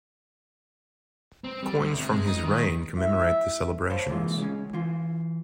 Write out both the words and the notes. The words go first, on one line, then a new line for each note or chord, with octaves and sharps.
Coins from his reign commemorate the celebrations.
C4
G3
D2
C3
G#3
D#4
D#3
E4 E5
C5 C#5 F5 A5 B5 C6
C3 E3 G#3 A#3 F4
C#3 G#3 C#4
E3 F4